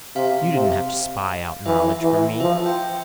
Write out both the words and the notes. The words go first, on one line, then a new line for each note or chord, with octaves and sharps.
You didn't have to spy out knowledge from me.
C3 F5
C3
E3 E5
E3
F3 E5
G5